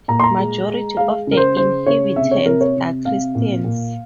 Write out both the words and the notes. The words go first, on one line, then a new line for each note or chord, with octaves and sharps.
Majority of the inhabitants are Christians.
A#2 A#5
C6
A#5
G#3
G#3
G#3 F5
C#3 A#4
C5
C#3 C5
C#3 C#5
C3 E5
C#5
C3 A#4
C#5
C3
C3 F5
A#2
A#2